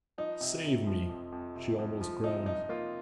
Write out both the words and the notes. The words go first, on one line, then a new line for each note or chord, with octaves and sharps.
"Save me!" she almost groaned.
F3 D#4
C3
C3
F3
F2
F2
C3
F2
F3
C3 D#4
F3 D#4
A#3 F4